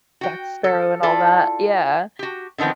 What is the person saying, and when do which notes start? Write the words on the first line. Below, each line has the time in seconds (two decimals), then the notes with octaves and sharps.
Jack Sparrow and all that yeah.
0.21 F#4 G5
0.64 A4
1.03 E4 F4 A4 D5
2.19 F#4 G4
2.58 D3 D#3 F3 B3 C4